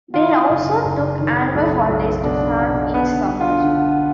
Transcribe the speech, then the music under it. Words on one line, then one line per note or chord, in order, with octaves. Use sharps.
They also took annual holidays to France each summer.
D#3 F4
F#1
F#1
D#3
B1
B1
B2 D4
B2
D3 B3
D3
F4
D3